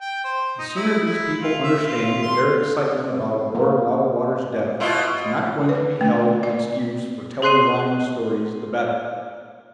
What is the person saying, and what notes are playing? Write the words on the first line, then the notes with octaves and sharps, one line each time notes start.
The sooner these people understand that their excitement about Lord Loudwater's death is not going to be held an excuse for telling lying stories the better.
G5
C5
D#4
E4
E4
F4
E5
F4
C6
A#3
B2 E4 F4
B4
A3
D5
G#4 C6 F#6 C7 D#7